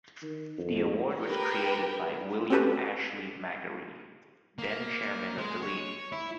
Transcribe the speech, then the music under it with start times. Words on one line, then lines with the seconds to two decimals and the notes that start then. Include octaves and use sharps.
The award was created by William Ashley Magarey, then chairman of the league.
0.22 D#3
0.58 F2
1.22 G4 A#4 B4 G5
2.50 C4 C#4 F#4 G4 A4 B4
4.59 A#3
5.38 G#3
5.62 C#5
6.12 E4